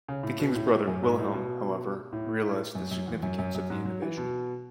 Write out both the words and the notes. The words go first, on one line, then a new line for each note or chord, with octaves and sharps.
The king's brother Wilhelm, however, realized the significance of the innovation.
C#3
A2
B2
A2
F#2
G#2
A2
B2
A2
F#2
F#2
E2
F#2
F#2
F#2
G#2
F#3
E3
B2